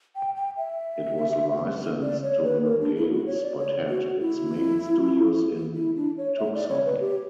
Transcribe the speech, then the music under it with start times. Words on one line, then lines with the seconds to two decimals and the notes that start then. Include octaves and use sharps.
It was licensed to Nogales, but had its main studios in Tucson.
0.16 G5
0.36 G5
0.57 E5
2.03 D5
2.23 C#5
2.44 B4
2.65 A#4
2.81 D4
2.96 E4
3.11 F#4
3.26 C#5
3.42 D5
3.59 C#5
3.89 F#4
4.20 E4
5.76 E4
5.97 D4
6.18 C#5
6.38 E5
6.55 D5
6.70 C#5
6.86 B4
7.00 G4